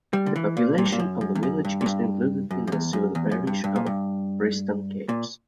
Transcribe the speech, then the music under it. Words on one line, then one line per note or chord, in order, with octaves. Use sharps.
The population of the village is included in the civil parish of Preston Capes.
G3
D3
E3
A#2
A#2
G2
A#2
F#2
F#2
E2
F#2
G2
A#2
G2
F#2
F#2
E2
F#2
E2
F#2
G2
G2
A#2
G2
A#2